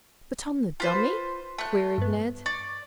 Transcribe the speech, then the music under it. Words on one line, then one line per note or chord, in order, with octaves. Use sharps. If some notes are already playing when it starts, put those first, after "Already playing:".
"But on the dummy!" queried Ned.
F4 B4 C5
A3 F#6
G2 B3
D5 C#6